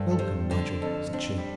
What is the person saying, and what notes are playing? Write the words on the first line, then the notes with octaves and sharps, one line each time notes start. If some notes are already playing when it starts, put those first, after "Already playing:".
"Welcome, Nigel!" said she.
Already playing: G2 A4 C5
A4
G3 C5
D3 C5
F2 A4
C4 D4
G3